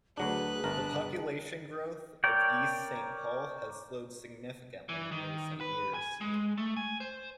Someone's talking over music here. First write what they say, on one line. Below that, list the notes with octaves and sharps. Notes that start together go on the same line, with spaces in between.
The population growth of East Saint Paul has slowed significantly in recent years.
D2 F#3 D4 G#4 B4 F#6
G1 D4 A#4
A#4 C#5 D5 G5
E3
D#3
B4
G#5
G#3
A3
G#5
C5